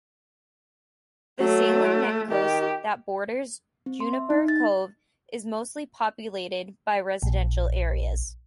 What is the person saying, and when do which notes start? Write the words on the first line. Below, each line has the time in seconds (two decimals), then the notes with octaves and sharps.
The Salem Neck coast that borders Juniper Cove is mostly populated, by residential areas.
1.40 F#3 A3
2.31 D#3 G4
3.86 C4
4.00 C6
4.13 E5
4.30 D#4
4.48 A6
7.22 A#1